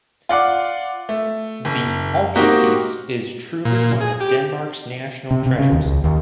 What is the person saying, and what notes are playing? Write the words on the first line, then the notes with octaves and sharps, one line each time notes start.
The altarpiece is truly one of Denmark's national treasures.
F4 D5 F#5 D6
A3
F#1
A#3 C4 D#4 F#4 G4
A#2
G#4
G4
C3
C3
C#3
D#2
C#2
D#2